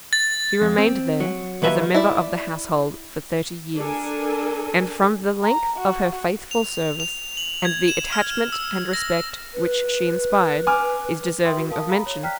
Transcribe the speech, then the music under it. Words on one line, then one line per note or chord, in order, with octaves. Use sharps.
She remained there, as a member of the household, for thirty years; and from the length of her faithful service, and the attachment and respect which she inspired, is deserving of mention.
A6
F2
C4
F#3
D#2 F#3 B4 E5
E4 D5
D4 A4 A#4 G#5
A#5
F#4
F7
F7
F#7
G#6
E7
F6
E6
A#6
B4
G#5 D6 F6
B4 E5 G5 C6 D#6
F#4
A#4 F5 A5 D#6
F5 A#5 B5
C#5
D5 G5 A#5 F6 F#6 B6